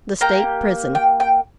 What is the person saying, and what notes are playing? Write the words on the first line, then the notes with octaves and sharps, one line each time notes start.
The State Prison.
A#3 G4 A#5
G5
G5